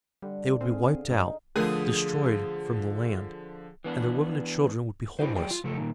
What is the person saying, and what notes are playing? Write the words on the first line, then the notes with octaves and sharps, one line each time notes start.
They would be wiped out, destroyed from the land, and their women and children would be homeless.
D3 G3
C4 G#4 F5 G#5
G2 D#4
D3 F3 A3 G#4 A#4
E3 B3 D4
D4 E4 F#4 G4 C5
F#3 G#4 D5 G5
F4
C#3 F3 A3 A4
A#2 D#3